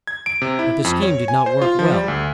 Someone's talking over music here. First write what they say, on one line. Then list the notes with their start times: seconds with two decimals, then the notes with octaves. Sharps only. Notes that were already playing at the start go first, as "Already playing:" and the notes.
But the scheme did not work well.
0.07 G#6
0.26 D7
0.42 C3
0.59 E4
0.84 F2
1.02 C#5
1.28 G#5
1.46 C5
1.62 F4
1.79 F3
1.92 G3
2.08 D2